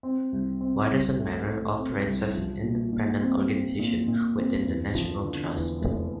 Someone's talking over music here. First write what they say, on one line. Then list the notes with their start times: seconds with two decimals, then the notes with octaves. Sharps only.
Waddesdon Manor operates as an independent organization within the National Trust.
0.03 C4
0.32 C2
0.61 C4
0.90 C2
1.19 A3
1.48 A3
1.76 C4
2.05 C2
2.35 F3
2.63 A#2
2.92 A#2
3.21 C4
3.50 C4
3.79 A#2
4.08 A#2
4.37 C4
4.66 E2
4.95 F3
5.23 D3
5.52 E2
5.81 F1